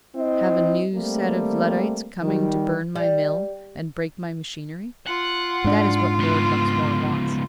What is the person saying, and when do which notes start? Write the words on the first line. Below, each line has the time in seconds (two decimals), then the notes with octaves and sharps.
Have a new set of Luddites coming to burn my mill, and break my machinery? That is what Lord Luxmore wants.
0.16 C4 E4 D#5
0.95 G3 A3 A#3 C4
2.22 D#3 G3
2.95 G3
5.07 F4 F#5
5.64 G#2 D4
6.19 C#2 B3